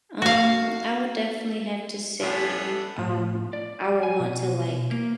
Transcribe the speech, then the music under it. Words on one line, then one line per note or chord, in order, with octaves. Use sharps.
Um, I would definitely have to say, um, I will want to, like,
F#4 F5
A2 F3 A3 B3 C#4 D4
A2
D5
G#5
B2
A#3